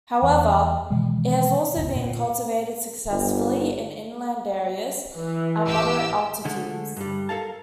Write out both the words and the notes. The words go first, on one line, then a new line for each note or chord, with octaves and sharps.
However, it has also been cultivated successfully in inland areas at moderate altitudes.
E2
B2 D#3 E3 G#3
F1 D2
A#2
G1
E3
A1 G4 E6
D3 G#3 A3
G2 G3
A4 A#4 F5 A5